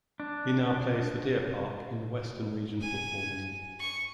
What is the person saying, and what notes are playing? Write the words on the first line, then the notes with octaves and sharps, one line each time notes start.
He now plays for Deer Park in the Western Region Football League.
D4
G#5
C#6